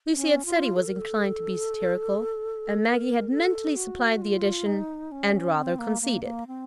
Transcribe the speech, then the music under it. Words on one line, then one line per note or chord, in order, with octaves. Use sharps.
Lucy had said he was inclined to be satirical, and Maggie had mentally supplied the addition, "and rather conceited."
C#4
F4
A4
A#4
A4
A#4
A4
F#4
F4
D#4
C#4
C4
A#3
A#3
A#3
C4